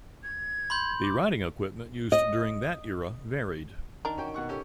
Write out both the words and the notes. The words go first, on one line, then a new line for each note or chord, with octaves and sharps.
The riding equipment used during that era varied.
G#6
B5 C6 G6
D6
D#5
D#3 D4 A#4
C#4 F#4 G5
B2 F#5 C#6
C#4 G4 A4